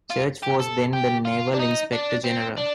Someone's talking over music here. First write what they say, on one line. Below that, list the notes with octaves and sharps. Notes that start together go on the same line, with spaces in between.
Church was then the Naval Inspector General.
F4
G4
A4
G4
F4
D4
D#4
D4
C4
D4